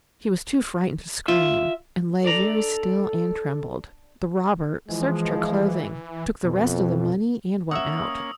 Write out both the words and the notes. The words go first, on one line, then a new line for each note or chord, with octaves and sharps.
She was too frightened to scream, and lay very still and trembled. The robber searched her clothing, took the rest of the money and went out.
F4 E5
D4 A4 D5 A#5
E3 F3 G#3
F2 B2
A#3 C#4 E5 F#5 D#6 E6